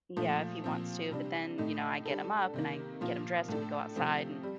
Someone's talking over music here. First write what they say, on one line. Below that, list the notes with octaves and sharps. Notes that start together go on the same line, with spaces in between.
Yeah, if he wants to, but then, you know, I get him up, and I get him dressed and we go outside and
A#2 F3 A3
A#2 F3 C4
C3 G3 D4
A2 A3 D#4
G3 D4 A4
C3 D#3 A#3
A#2 F3 A#3 F4
A2 A3 D4 A4
C3 F3 A3 C4
G3